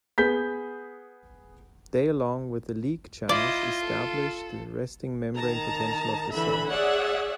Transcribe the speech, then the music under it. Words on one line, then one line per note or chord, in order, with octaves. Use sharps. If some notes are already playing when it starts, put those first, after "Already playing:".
They, along with the "leak" channels, establish the resting membrane potential of the cell.
B3 G#4 G6 B6
E4 F4 D5 D#5
A4
D#3 A5 A#5
D3 E3 E5 B5
G#4 C#5 D5 E5 F#5